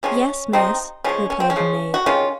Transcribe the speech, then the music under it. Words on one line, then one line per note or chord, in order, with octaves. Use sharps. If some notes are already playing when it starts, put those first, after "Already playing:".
"Yes, miss," replied the maid.
C3 F3 G#3 C#4
C3 F3 G#3 C4 D#4
C#3 F3 G#3 C#4
C#4
C4
C#4
C#3 F3 G#3
F#4
C3 D#3 G#3 C#4 F4